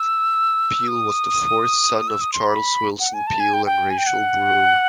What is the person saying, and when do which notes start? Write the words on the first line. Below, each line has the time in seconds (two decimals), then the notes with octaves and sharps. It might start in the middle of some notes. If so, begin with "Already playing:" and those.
Peale was the fourth son of Charles Willson Peale and Rachel Brewer.
Already playing: E6
0.88 D#6
2.08 E6
2.21 D#6
2.33 C6
2.47 B5
2.99 F#5
3.14 G#5
3.27 A5
3.40 G#5
3.53 G5
3.66 G5
3.90 G#5
3.98 G5
4.06 F#5